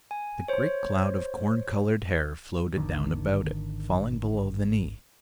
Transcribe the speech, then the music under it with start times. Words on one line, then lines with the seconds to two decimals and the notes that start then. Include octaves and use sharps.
The great cloud of corn-colored hair floated down about it, falling below the knees.
0.11 G#5
0.48 C5 C#5
2.77 G#1 D3 D#3